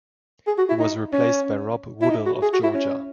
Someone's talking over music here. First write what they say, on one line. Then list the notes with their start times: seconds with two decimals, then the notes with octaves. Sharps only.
He was replaced by Rob Woodall of Georgia.
0.47 G#4
0.58 F#4
0.69 E4
0.79 D#4
1.13 C#4
2.01 E4
2.10 D#4
2.26 F#4
2.42 G#4
2.53 F#4
2.63 E4
2.74 C#4